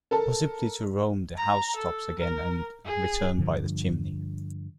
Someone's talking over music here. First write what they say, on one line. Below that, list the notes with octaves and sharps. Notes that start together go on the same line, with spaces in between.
Possibly to roam the house-tops again and return by the chimney.
A4 A#4 A5
A#5
A4
A#4
G#4
G2 D3 F3